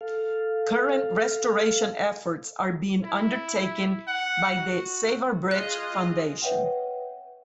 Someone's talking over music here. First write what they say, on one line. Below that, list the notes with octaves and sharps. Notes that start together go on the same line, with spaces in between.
Current restoration efforts are being undertaken by the 'Save our Bridge Foundation.
A4 F5
E4
F#5
F#4
F4 G#4 D#5 F#6
B4 C#5 E5 F#5 G5